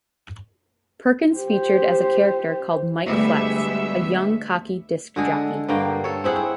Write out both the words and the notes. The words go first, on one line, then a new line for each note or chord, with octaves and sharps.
Perkins featured as a character called Mike Flex, a young cocky disc jockey.
G4 C5
D2 G3 G#3 B3 E5
D3 G#3 G#4 A4
G2 D3 A#3 G5
A4 C#5
C4 E4 G#4 F#5